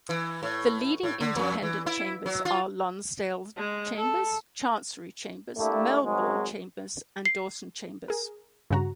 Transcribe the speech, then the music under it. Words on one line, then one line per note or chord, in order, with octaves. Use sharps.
The leading independent chambers are Lonsdale Chambers, Chancery Chambers, Melbourne Chambers and Dawson Chambers.
E3
A2
A2
D3
F2
E3
E4
F#3
F4
G#3
A4
A3 A#3 D4 E4 G4
G#1 G#2 F#3 G#3
C7
G#4 A#4
G2 C#3 F#4 A#5